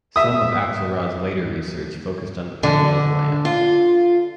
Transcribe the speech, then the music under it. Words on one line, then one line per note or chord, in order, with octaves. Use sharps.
Some of Axelrod's later research focused on the pineal gland.
E5 D#6
D3
F4